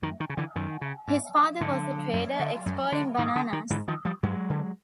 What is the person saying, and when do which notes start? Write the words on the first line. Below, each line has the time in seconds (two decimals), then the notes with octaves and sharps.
His father was a trader, exporting bananas.
0.02 F#2 D#3
0.20 D#3
0.30 C#3
0.37 D3 E3
0.55 F#2 D#3
0.81 C#3
1.08 G#2
1.61 G#2 D3
2.13 F#2
2.39 D3
2.66 F#2
2.92 D3
3.18 G#2 D#3
3.36 D3
3.53 D#3
3.70 G#2 D3 E3
3.88 D#3 F3
4.05 F3 G3
4.23 G2 F#3 G#3
4.50 D3